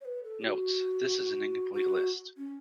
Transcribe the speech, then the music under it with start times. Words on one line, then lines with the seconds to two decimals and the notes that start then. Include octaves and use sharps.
Notes: This is an incomplete list.
0.01 C#5
0.05 B4
0.23 A4
0.44 F#4
1.73 F#4
2.37 C#4